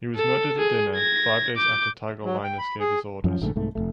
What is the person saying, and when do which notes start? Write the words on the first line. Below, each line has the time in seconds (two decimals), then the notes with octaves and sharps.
He was murdered at dinner; five days after Tigellinus gave his orders.
0.16 A4
0.58 G#4
0.95 G#6 A#6
1.56 D6 G6
2.24 F#3
2.44 G5
2.59 B5
2.80 G#4
3.24 F#2 F3 C#4
3.41 A#1 G#2 D3 A3
3.56 C2 G#2 A3
3.75 F1 E2 A3